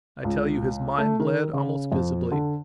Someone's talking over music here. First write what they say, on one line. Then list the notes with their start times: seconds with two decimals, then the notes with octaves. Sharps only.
I tell you his mind bled almost visibly.
0.24 C#2
0.98 A3
1.19 D#3
1.53 C#3
1.92 F2
2.32 D3